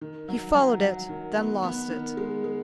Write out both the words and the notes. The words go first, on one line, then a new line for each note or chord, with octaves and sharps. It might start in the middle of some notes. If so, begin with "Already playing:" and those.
He followed it, then lost it.
D#3
F#3
F#3
F#3
D#3
B3
B3
D#3
G#3
G#3